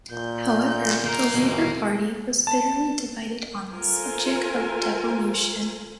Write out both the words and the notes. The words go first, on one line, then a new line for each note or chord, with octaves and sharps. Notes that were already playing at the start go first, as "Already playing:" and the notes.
However, the Labour Party was bitterly divided on the subject of devolution.
A#2 G6
A#3 A#4
D#2 B2
A5
F4 A4 A#4 C5 G#5